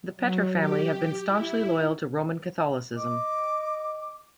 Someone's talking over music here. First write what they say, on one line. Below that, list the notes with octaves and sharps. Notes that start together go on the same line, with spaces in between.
The Petre family have been staunchly loyal to Roman Catholicism.
F#3
G4
E4
D#5 D6